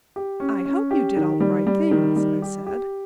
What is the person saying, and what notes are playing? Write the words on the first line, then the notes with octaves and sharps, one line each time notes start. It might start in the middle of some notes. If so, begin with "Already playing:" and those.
"I hope you did all the right things," I said.
G4
C#4
C#4
G4
D#3
G3
G3
D#3
G3
G4
G4